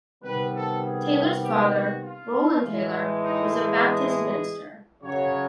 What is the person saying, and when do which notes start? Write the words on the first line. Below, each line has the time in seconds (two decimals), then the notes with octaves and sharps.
Taylor's father, Roland Taylor, was a Baptist minister.
0.23 C3 D#3 G3 B3 B4
0.53 A4
0.83 G#4
1.43 G4
1.73 F#4
2.04 F4
2.63 A2 E3 G#3
3.23 D#4
3.53 G#4
5.03 F#2 C#3 F#3 C#5